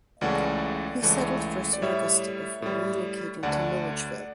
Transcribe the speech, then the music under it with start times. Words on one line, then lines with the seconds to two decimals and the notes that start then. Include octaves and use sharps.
He settled first in Augusta before relocating to Milledgeville.
0.21 C#2 C#3 E3 A3 D5 F#5
1.02 C#2 C#3 E3 A3
1.73 D5
1.82 A2 G3 C#5 E5
2.62 A2 G3
3.43 D2 D3 A3 D5 F#5